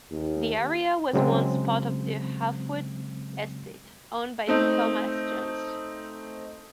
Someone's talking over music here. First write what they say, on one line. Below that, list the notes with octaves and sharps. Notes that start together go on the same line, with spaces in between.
The area was once part of the Hafod Estate, owned by Thomas Johnes.
D#2
C#3 F#3 G#3 C4
A3 C4 D#4